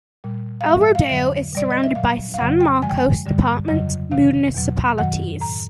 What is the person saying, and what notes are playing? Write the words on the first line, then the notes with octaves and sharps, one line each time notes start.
El Rodeo is surrounded by San Marcos Department municipalities.
A#2 G3
F5
G#2 F3 G#3 E5
E5
F5
F2 D3 F#3 E5
B2 G3 D5
D#5
E5
A#2 F#3 F5
F5
F2 C#3 F#3 F#5
G5
F#2 D3 F3 G#3 G#5
G5
G#5
G2 D3 G3
F2 C#3 F#3 D#5
F2 C3 D#3 F5
E2 B2 F#3
F#2 D#3 F#3 F#5
A2 F#3 A#5